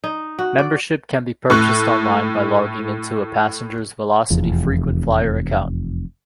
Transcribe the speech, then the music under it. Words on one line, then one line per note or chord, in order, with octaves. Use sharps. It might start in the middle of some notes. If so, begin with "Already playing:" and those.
Membership can be purchased online by logging into a passenger's velocity frequent flyer account.
D#4
F#4
D5
A2 C#6 F#6
F1 E2 F3